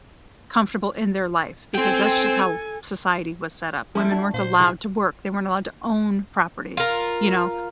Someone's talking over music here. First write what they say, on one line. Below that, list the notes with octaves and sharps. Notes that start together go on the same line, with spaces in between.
comfortable in their life because that's just how society was set up. Women weren't allowed to work, they weren't allowed to own property, you know?
C4 A4 G5 G#5
F3 C#4 E4 A4 E5 C6
D4 F#4 A5
A#2 C5
C3 F3 E4 G#4
F4 A#4